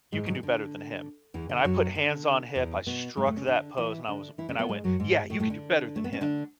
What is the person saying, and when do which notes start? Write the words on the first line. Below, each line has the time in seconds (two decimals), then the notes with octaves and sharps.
you can do better than him." And I put hands on hip. I struck that pose and I was and I went, "Yeah, you could do better than him."
0.12 G#2 G#3
0.26 F#3
0.35 E3
0.43 D3
1.34 E2 E3
1.49 D3
1.65 F#2 F#3
1.95 D3
2.56 E2 E3
2.87 B2 B3
3.17 G#2 G#3
3.27 A2 A3
3.37 C#3 C#4
3.47 D3 D4
3.78 E3 E4
4.08 D3 D4
4.38 E3 E4
4.49 C#3 C#4
4.59 B2 B3
4.69 G#2 G#3
4.84 F#2 F#3
5.00 G#2 G#3
5.30 A2 A3
5.40 A2 A3
5.50 D3 D4
5.96 A3
6.04 B3
6.13 C#4
6.21 D3 D4